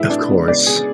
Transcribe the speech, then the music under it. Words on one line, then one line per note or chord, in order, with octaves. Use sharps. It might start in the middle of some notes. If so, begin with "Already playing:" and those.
Of course.
Already playing: A2 F#3 A3 E4 G#4 B4
D4
C#3 G#3 B3
D5
G#4